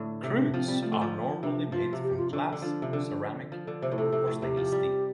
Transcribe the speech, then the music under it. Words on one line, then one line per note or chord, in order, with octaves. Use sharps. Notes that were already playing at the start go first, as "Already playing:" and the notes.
Cruets are normally made from glass, ceramic, or stainless steel.
Already playing: A2 D3
C3
D4
F3 C4
G3 C4
F3 A3
D3
F3
C3 D4
F3 F4
C3
G4
F4
D3 D4
D3
F3 D4
C3
D3 D4
D4
F3
D3
C3 C5
A2
C3 A4
C3
A2
C3 G4
F3
G3